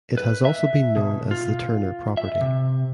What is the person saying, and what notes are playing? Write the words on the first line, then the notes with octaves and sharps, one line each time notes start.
It has also been known as the Turner Property.
B4
E5
B2
F4
E5
C3